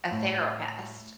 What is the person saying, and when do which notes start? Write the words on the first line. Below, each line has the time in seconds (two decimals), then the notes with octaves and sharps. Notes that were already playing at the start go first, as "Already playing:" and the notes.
a therapist
0.11 A2